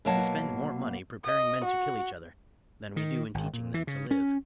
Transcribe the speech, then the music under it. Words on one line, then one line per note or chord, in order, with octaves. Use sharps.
We spend more money preparing men to kill each other than we do in teaching them to live.
B2 F#3 A#3 C#5 F#5 A5
D#5
F#4
D#3
G#1
A#2
E3
C#3
C#4